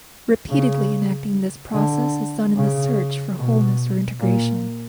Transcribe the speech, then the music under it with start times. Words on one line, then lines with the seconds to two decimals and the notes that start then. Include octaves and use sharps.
Repeatedly enacting this process is done in the search for wholeness or integration.
0.50 C#3
1.73 D3
2.57 C#3
3.38 B2
4.21 A#2